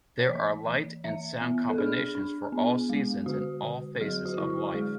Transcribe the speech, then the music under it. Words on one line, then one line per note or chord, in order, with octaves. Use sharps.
There are light and sound combinations for all seasons and all phases of life.
C#5
E3 D5
E3
E3 E5
B3
A4
D4 G#4
D4
B3
G#3
D3 F#4
D3
F#3 G#4
F#4
D3 E4
F#4
G#3 G#4